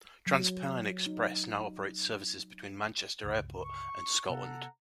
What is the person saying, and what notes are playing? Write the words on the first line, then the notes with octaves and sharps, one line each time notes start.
TransPennine Express now operates services between Manchester Airport and Scotland.
F#3
D#4
G1 C#2
C#6
C3 B3 A4 F#5 A#5